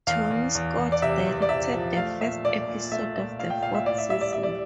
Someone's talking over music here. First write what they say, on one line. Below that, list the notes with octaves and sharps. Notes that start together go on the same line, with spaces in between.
Tony Scott directed the first episode of the fourth season.
E2 F5
E2
E2
E2
D5
C3 E5
E2
D5
C3 E5
F3
A3 F5
A#2 E5
A#2 D5
A#2
A3 E5
A#2 E5
A#2 F5
G5
A#2 F5
E5
A2 D5
E5
G3 E5
D5
G3 E5
D5